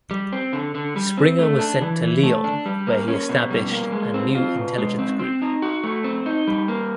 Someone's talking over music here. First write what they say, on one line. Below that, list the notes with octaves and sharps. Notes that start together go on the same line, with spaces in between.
Springer was sent to Lyon where he established an new intelligence group.
G3
C4
D3
D3
G3
C4
A3
D4
E3
E3
A3
D4
G3
A#3
C#4
B2
G3
A#3
G#3
C4
F4
B2
G#3
C4
C4
D#4
F#4
A3
C4
D#4
G3
A#3